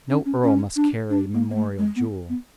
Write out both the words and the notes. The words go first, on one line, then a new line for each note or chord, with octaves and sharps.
No earl must carry memorial jewel.
C#4
C#4
C#4
D4
D4
A#3
A#3
A3
G#3
B3
B3